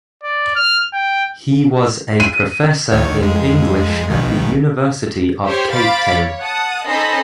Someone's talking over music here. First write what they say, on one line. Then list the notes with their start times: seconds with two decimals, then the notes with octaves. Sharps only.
He was a professor in English at the University of Cape Town.
0.24 D5
0.56 F6
0.93 G5
2.20 D#7
2.92 D2 D#3 C#5
3.21 F2 G#3
4.10 A#1 B2 D#3
5.45 G4 C5 C#5 C6
5.73 C5 F5 B5 D6 A6
6.08 C#5
6.39 F#5 A5 D#6
6.88 C#4 D#4 A4 C5 D#5 B5